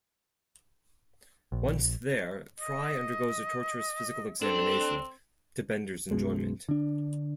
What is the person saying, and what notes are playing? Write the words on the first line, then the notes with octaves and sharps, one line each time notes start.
Once there, Fry undergoes a torturous physical examination, to Bender's enjoyment.
A#1
D#5
C4 D4 A4
B1 F#2 B2 G#3
D3 D4